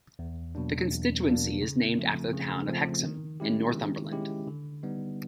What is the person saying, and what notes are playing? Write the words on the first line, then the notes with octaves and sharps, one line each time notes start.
The constituency is named after the town of Hexham in Northumberland.
E2
B2 F#3 A#3 D4
E2
B2 F#3 A#3 D4
C#3
F3 A3 C4
C#3
F3 A3 C4
D#3
G#3 C#4 E4 G4
D#3
G#3 C#4 E4 G4
D3
G3 B3 D#4